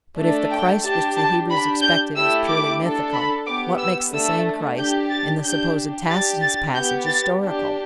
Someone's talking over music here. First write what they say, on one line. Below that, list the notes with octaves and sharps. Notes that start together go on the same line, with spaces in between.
But if the 'Christ' which the Hebrews expected was "purely mythical," what makes the same 'Christ' in the supposed Tacitus passage historical?
A3 D4 A4
G5
D4 G4 A5
A5
D4 G4 B5
G6
A3 E4 G4 E6
D6
D4 A4
B5
B3 G4 D6
E6
A3 D4 A4 E6
D4 G4 G6
A6
D4 G4 G6
D4 G4 A6
A6
B3 G4 G6
A6
D4 G4